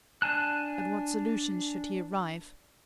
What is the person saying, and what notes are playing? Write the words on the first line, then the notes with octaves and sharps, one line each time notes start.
At what solution should he arrive?
D4 G#5 A5 F#6